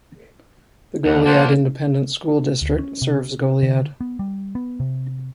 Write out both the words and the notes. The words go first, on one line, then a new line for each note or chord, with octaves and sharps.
The Goliad Independent School District serves Goliad.
D#2 F#5
A#3 D4 C5 F#5 A5
D2
C#4
C3
D3
B3
G3
B3
C3